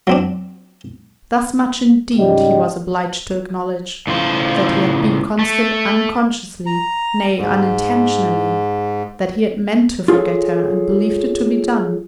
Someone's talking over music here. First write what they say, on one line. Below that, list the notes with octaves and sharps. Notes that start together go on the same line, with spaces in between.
Thus much indeed he was obliged to acknowledge: that he had been constant unconsciously, nay unintentionally; that he had meant to forget her, and believed it to be done.
F#3 C4 D4
G#2 C#3 G3 G4 D5 D#5
A2 C#3 F4 C5
A3
A#5
G#2
F4 G#4 A4 C#5